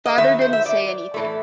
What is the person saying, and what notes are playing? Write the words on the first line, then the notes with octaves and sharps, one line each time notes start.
Father didn't say anything.
D#5
D#3 F#3 B3 E5
C5
E5
D5
A2 E3 A3